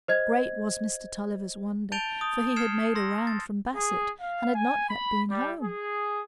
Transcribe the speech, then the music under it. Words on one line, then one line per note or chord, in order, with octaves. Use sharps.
Great was Mr. Tulliver's wonder, for he had made a round from Basset, and had not yet been home.
C5 D#5 G#6
A5 G6 A6 D7 F7 G7
D#6 G6
F6 G#6 C7 C#7 E7
C6 E6 A#6
A6
G#4
F5
G#5
B5
G3
G#4